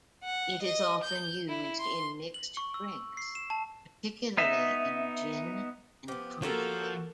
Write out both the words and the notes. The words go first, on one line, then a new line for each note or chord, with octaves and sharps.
It is often used in mixed drinks, particularly in gin and tonic.
F#5
D#5
G6
E4
C6
F#7
C#6
E6
C7
E7
A5
B3 D#4 E5
F3 B3 G4
F3 A#3 F#4 G4 A4 A#4 C#5